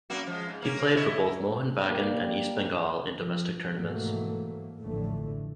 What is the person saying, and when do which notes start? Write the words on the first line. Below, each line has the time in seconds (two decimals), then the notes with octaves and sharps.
He played for both Mohun Bagan and East Bengal in domestic tournaments.
0.10 F#2 A#3 F#4
0.27 F3 G#3
0.49 G#2
0.62 A#3 C#4
0.95 E4 C#5 D#5
1.87 G3 A#3
3.13 F3
3.73 G#2 B2 E3 F#3 A3 A#3
4.80 A1 F2 A2 D3 E3 A3